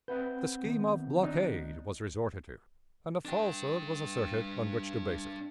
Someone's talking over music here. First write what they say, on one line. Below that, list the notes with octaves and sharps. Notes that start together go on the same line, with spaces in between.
The scheme of blockade was resorted to, and a falsehood was asserted on which to base it.
C4 B4 E5 F#5 G6
D#3 B3
D4 D#4
D4 G5